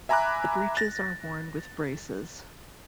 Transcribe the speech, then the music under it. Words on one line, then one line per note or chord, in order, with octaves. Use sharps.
The breeches are worn with braces.
E5 G#5 A#5 B5 D6 F#6
A6 A#6